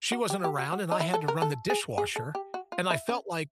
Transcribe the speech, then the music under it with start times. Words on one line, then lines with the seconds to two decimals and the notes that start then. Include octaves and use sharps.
She wasn't around and I had to run the dishwasher, and I felt like,
0.12 F#4
0.30 G4
0.44 G4
0.58 F#4
0.72 F#4
0.92 D#4
1.00 E4
1.14 A4
1.28 A#4
1.42 A4
1.70 G#4
1.98 G#4
2.16 A4
2.35 G4
2.54 F#4
2.72 F4
2.90 E4
3.09 C#4